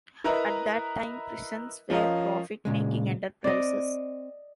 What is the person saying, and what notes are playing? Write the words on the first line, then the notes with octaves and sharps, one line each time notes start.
At that time, prisons were profit-making enterprises.
E4 A#4 B4 D#5 E5 A#5
F3 C#4 A#4 D#5 F5
A#2 C#3 G#3
C4 D5 D#5